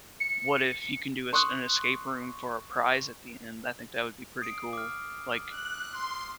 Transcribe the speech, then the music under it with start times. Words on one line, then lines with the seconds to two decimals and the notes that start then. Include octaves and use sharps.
what if you can do us an escape room for a prize at the end? I think that would be pretty cool, like,
0.20 C#7
1.33 C6 C#6 D#6 F#6
4.42 D#6 C7 D7
4.73 D6 F6
5.49 F#6
5.90 C6